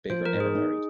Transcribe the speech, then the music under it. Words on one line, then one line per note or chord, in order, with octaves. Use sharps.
Baker never married.
F3 C5
A#4
G#2
G#4
D#4